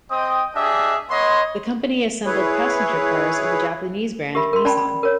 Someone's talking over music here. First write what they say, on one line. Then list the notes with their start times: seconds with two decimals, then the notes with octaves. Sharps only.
The company assembled passenger cars of the Japanese brand Nissan.
0.11 C4 D#5 G5 D#6
0.55 D4 G4 G#4 D#5 E5
1.10 B3 C#5 D#5 C6
2.26 E4 G#4 B4 C#5
4.35 G4 A#4 E5 B5
4.53 A#4 C6
4.65 C#4 D5 G5 A5 B5
4.78 B5
5.03 A#4 C#5